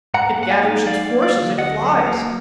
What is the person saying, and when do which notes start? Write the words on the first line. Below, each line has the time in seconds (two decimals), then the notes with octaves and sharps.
It gathers its forces, it flies!
0.14 G#2 F#5 A#5
0.38 A#3 F#5
0.50 F5 G#5
0.63 D#4
0.86 F#3 D5 F5
1.10 A#3
1.22 D5 F5
1.35 D3
1.58 D2 D#5 F#5
1.82 F#3
2.06 A#3